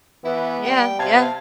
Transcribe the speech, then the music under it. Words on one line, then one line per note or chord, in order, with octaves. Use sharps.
Yeah, yeah.
E3 B3 E4
G3 G5
C3 F5 A5 G#6